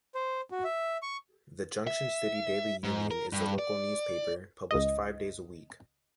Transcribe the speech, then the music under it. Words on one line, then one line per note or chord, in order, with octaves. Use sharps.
The "Junction City Daily Union" is the local newspaper, published five days a week.
C5
F#4
E5
C#6
E5
G#2
A#4
G2
D5
C#2 D#5